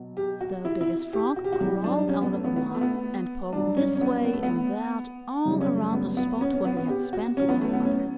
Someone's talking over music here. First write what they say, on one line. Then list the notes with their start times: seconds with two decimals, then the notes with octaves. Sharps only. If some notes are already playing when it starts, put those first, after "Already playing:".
The Biggest Frog crawled out of the mud and poked this way and that all around the spot where he had spent the cold weather.
Already playing: B2 F#3
0.17 G4
0.41 F#4
0.65 E4
0.81 E4
1.13 G4
1.36 F#4
1.44 G4
1.53 F#4
1.61 F#2 E3 G3 G4
1.84 D4
2.09 C#4
2.21 B3
2.33 A3
2.44 B3
2.56 B3
2.75 A3
2.81 B3
3.53 G2 F#3 D4
3.77 C#4
3.96 C#4
4.01 B3
4.25 B3
4.33 A3
4.43 B3
5.45 F#2 C#3 G3
5.61 C#4
5.77 A3
5.92 B3
6.17 B3
6.41 C#4
6.53 C#4
6.65 B3
6.77 B3
6.89 G4
7.13 F#4
7.37 A2 F#3 C#4
7.49 B3
7.61 A3
7.73 B3
7.85 C#4